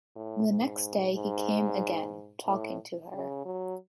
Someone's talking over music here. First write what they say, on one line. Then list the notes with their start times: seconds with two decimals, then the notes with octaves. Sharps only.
The next day he came again, talking to her.
0.16 A2
0.48 G#2
1.14 G#2
2.47 A2
3.13 C#3
3.45 F#3